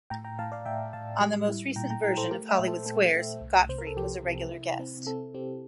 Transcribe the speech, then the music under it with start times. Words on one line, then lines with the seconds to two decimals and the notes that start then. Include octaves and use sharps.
On the most recent version of "Hollywood Squares", Gottfried was a regular guest.
0.10 A2 G5 A#5
0.24 G5 A#5
0.39 A2 F5 A5
0.52 D5 F5
0.65 A2 E5 G5
0.93 A2 F5 A5
1.21 G3
1.48 E4
1.76 A#2 G5 A#5
1.90 G5 A#5
2.03 E4 G5 A#5
2.17 A4 C5
2.31 A3 G4 A#4
2.49 E5 G5
2.59 A#2
2.68 A4 C5
2.86 A3 A4
3.14 A3
3.41 C2
3.69 C3 C5
3.78 A#4
3.87 A4
3.96 F3 G4
4.23 C3
4.51 E4
4.79 C4
5.07 C4 A4
5.34 C4 G4